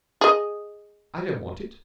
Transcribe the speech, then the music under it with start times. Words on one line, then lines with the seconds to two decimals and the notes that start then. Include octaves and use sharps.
I don't want it.
0.21 G#4 D#5